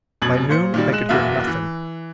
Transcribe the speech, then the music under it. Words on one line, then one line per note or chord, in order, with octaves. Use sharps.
By noon I could hear nothing.
F1 F#2 B2 G#6 A6 F#7
A#2 C5 C#7
A#2 D#3 G3
G#3 F#6 E7
F#1 E2 A#3 F#4 E5 F5
E3